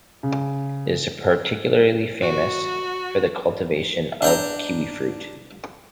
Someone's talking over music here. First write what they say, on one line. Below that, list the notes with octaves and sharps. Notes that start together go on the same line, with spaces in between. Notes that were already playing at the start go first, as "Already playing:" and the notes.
It is particularly famous for the cultivation of kiwifruit.
C#3
F#4
D4 G5 A#5